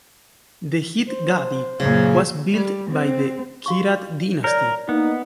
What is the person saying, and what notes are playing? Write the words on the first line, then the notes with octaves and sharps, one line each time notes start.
The Jit Gadhi was built by the Kirat dynasty.
C5
F#2 A#2 C#3
G3
C4
F#4 F5 C#6
A#4 C#5 D5
A#3 B3 D#4